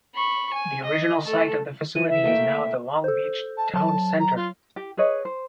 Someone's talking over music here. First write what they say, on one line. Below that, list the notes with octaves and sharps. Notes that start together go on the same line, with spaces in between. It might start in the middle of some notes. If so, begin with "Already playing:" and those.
The original site of the facility is now the Long Beach Towne Center.
B5 C#6
G#5
D#5
A3 A4
E3 D#7
E5
A3 A#3 G5
A4 C5
A5
F#3 A5
A#5
F4
G4
G#4 B4 C#5 D#5
C5